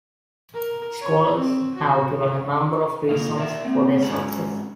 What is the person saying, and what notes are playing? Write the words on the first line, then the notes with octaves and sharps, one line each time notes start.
Scholars have given a number of reasons for their success.
A#4
C#5
C4
F#4
A#2 A#3 D#4 F5
A#4 D5 E5
A#3 C4
G#2 F#3 C#4 A#5 B5